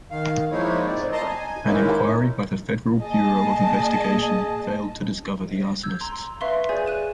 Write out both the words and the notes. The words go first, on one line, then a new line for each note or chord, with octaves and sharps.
An inquiry by the Federal Bureau of Investigation failed to discover the arsonists.
D#3 F5
F3 G#3 A#3 D#4 E4 C#5
C4 D5
D#5 A5 A#5 C6
G#5
D#3 G#3 A#3 C#4 D#4 E4
A#3 G#4 D#5 A5
E6 G6 G#6
A#5 C6
B4 E5 F5 C6 C#6
G#4 B4 C#5 D5 G#5 G6
F#6 D#7 E7